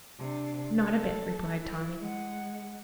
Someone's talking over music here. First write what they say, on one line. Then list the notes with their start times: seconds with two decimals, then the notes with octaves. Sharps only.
"Not a bit," replied Tommy.
0.19 C3 D4
0.78 A4
1.60 E4
2.00 G#3 F#5